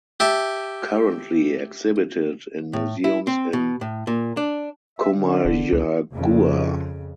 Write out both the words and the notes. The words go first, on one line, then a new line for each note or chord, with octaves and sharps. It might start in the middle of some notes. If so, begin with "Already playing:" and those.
Currently exhibited in museums in Comayagua.
G4 E5 A5
A2
E4
C4
B2
A2
A#2
D4
E5
D3
E1
C#2
F2 C#3